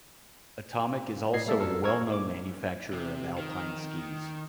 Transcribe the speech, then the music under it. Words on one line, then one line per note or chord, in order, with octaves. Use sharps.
Atomic is also a well-known manufacturer of alpine skis.
A2 A#4 D5 D#5 G#6 C7
G3 A3 A#3 A4 D5 E5
F2 F3 A4 A#4
A#4 F5 C#6 E6 G#6
D6
C3
D#3